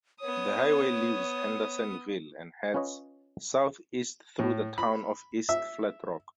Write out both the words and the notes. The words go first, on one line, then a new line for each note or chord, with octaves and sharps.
The highway leaves Hendersonville and heads southeast through the town of East Flat Rock.
B3 C#5 D#6
C#4 F4 B4 C#5 D#5
A2
B5
E5